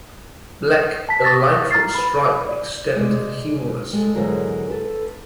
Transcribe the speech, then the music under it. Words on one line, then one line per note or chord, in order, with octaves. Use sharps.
Black elytral stripe extend to the humerus.
A5 B6
C#6 D#6 A6 A#6
A#5 F6 A6 C7
B4 B5
D5
G#3 G#4 D5
G#3 A4
E2 G#2 D3 F#3 G#4 A#4
A4 B4